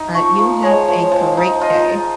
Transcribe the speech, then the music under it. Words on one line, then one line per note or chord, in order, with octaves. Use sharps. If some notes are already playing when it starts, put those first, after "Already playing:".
Right. You have a great day.
Already playing: D#4
F3 C#6
F3
G#3 C#5
F3
F3
D#4
F4 D#5